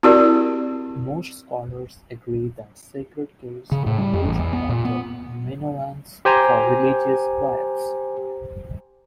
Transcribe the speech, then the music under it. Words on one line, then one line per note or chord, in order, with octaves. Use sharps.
Most scholars agree that sacred caves were used by the Minoans for religious rites.
C4 E4 F#4 G4 A#4 D5
C#3
A2
G3
F2
A1
E2
B3
A#2
B3
G4 C5 G#5 A#5